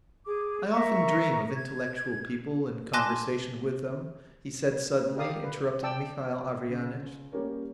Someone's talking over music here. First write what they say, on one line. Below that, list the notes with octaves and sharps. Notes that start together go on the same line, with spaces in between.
"I often dream of intellectual people and conversation with them," he said suddenly, interrupting Mihail Averyanitch.
G#4 D6
A#4 E5 A#5 C#6
G#6
G#5 A5 C6 D6 F#6 A#6
G4 A#4 D5 F5 D#6
B4
D5 G5 A5 E6
C#2
G3 A#3 C#4 G4 A#4 C#5